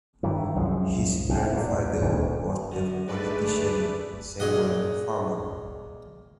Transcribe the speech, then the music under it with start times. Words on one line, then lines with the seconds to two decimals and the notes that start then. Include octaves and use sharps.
His grandfather was the politician Samuel Farmer.
0.23 G2 D#3 E3
0.55 C2 F#2 F3 G#3
1.29 C2
1.53 E2 A#2
2.01 D#1 D2
2.72 F#2 D3 F#4
3.08 G#3 A3 G#4 B4 D5
3.38 D2
4.40 A#2 G#4 D#5 F#5